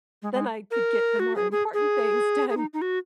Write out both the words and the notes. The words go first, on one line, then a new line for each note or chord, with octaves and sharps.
then I could get the more important things done
G#3
G#3
A#4
F#4
G#4
G#4
G#4
G#4
D#4
D#4
F#4